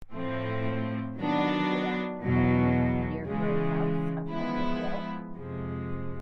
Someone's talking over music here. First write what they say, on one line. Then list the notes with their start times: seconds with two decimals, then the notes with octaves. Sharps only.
And good afternoon, dear gray house up on the hill.
0.13 A2 F3 A3 C4
1.16 D#3 F#3 B3 D4
2.21 E2 B2 F#3
3.25 C#3 E3 G#3
4.29 F3 G#3 B3 E4
5.32 F2 C3 F3 G#3